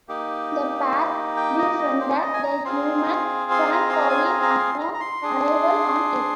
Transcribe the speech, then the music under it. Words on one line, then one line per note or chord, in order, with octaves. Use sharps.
The pair befriended the human Francolin upon arrival on earth.
A#3 D#4 G4
G5
D#5
D#5
C5
D5
D#5
G#5
A#5
C4 F4 G#4 C6
C6
A#5
C6
A#5
G#5
A#5
A#5
C6
A#5
A#5
C6
D4 G#4